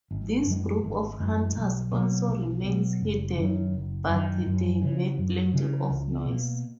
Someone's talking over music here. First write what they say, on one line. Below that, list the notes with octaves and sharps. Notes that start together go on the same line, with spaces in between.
This group of hunters also remains hidden, but they make plenty of noise.
G#1
F#2 E3 G#3
G#1
F#2 E3 G#3
B1
B2 F#3
B1
B2 F#3
F#1
F#2 D#3
F#1
F#2 D#3
F#2
C#3 E3
F#2
C#3 E3
C#2
B2
A#3